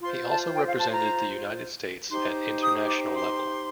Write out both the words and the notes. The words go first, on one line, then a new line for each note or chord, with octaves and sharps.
He also represented the United States at international level.
F4 C5 C6
A5
G5
F5
A5
A#5
D#4 G4 C5 C6
D#6
D6
C6